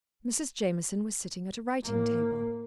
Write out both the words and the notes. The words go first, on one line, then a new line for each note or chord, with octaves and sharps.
Mrs. Jameson was sitting at a writing-table.
A2 A#3